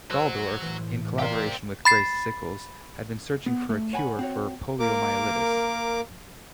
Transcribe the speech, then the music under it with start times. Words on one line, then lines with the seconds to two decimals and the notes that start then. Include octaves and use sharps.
Dalldorf, in collaboration with Grace Sickles, had been searching for a cure for poliomyelitis.
0.10 F#3 F#4 C5 E6
0.62 A2 E3
1.19 G4 A#4 C5 D5 F5
1.85 B5 A6 C7
3.46 B3
3.70 A3
3.93 C#5 F#5 G#5 A5 B5
4.19 C4 F#4 C#5
4.80 A#3 A#4 D6